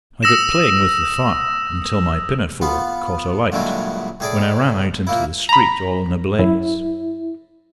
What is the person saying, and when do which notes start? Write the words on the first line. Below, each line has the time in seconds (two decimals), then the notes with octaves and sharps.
I got playing with the fire until my pinafore caught alight, when I ran out into the street all in a blaze.
0.23 D#6 E6 A#6 E7
2.61 B3 F4 B5
3.52 G2 A#2 D3 E3 F#3 G#3
4.20 A2 G#4 D5 B5
5.07 A#2 A#3 E4
5.49 A#5 B5
6.39 F#2 E4